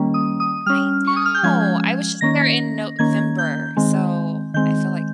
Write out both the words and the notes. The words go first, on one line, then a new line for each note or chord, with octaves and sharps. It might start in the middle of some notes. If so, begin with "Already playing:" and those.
I know. I was just there in November, so I feel like
Already playing: D#3 G3 A#3 C#4
D#6
D#6
G3 C#4 F6
C#6
D#6
F6
G6
F3 G#3 C#4 G#6
D#3 A#3 C#4 A#6
D#3 A#3 C#4 G#6
G6
D#3 G#3 C4
D#3 G#3 C4 G6